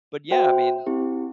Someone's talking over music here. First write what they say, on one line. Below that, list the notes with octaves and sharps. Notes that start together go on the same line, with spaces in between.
But, yeah, I mean,
F#4 C5 E5 G5
C4 E4 G4